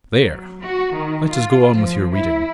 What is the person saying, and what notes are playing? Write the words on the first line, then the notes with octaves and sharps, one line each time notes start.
There! let us go on with your reading.
F#3
F#4
D#3
F4
F3
E4